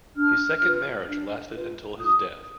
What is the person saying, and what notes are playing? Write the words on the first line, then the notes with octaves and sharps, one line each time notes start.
His second marriage lasted until his death.
D4 F6
F4 B4
D4
F4 B4
F4 D#6